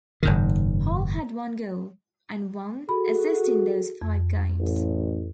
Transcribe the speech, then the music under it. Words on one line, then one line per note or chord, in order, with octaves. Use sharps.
Hull had one goal, and one assist in those five games.
F#1 G#2 D#3
F#4 G#4 A4 B5
F2
A1